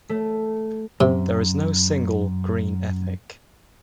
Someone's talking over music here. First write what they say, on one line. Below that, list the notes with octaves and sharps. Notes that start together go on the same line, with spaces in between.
There is no single "Green Ethic".
A3
F#2 C3